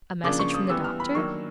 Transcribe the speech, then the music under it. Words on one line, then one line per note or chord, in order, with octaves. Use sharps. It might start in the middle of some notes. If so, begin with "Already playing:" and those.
'A message from the doctor?'
C#3 F3 A#3 D4 D6
C#6
D#6
E3 G3 B3 E6
F6
B5
D#3 F#3 A#3 D4 C#6